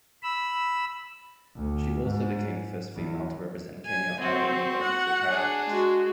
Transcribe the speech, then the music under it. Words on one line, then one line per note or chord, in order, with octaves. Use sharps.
She also became the first female to represent Kenya either in Olympics or Paralympics.
B5 E6
D2
G#2
E2
G#5
C4 F#4
F#5
D4 G#4
G#3 F#4